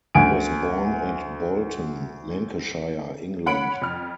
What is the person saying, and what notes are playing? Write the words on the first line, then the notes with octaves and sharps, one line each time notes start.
He was born at Bolton, Lancashire, England.
D2 G#5 D7
C#4 F#5 B5 D7 F#7
F2 F6